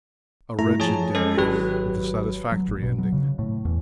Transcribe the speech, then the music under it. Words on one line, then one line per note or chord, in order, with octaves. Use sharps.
A wretched day with satisfactory ending.
G2 A3 E4 A#5
F3 G#4 C#5 A5
G#3 C#4 A4
G#1 F#3 G4 B4
F#3
A1
B2
F#3
C#3
A2
E2